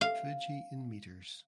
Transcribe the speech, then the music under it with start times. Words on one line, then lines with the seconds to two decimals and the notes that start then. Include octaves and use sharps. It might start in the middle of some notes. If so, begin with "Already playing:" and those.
Fuji in meters.
0.01 F5